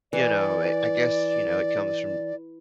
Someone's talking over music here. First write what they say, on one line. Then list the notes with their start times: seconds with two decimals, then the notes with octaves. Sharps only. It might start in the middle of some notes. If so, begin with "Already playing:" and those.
you know, eh, I guess, you know, it comes from
0.13 E3 D5